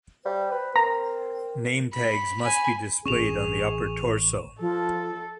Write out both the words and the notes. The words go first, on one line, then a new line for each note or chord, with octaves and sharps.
Name tags must be displayed on the upper torso.
G3 C5
B4
C4 A#4 A#5
B5
G#5 B5
A1 C#4 G#4 C#6 E7 F7
F3 A4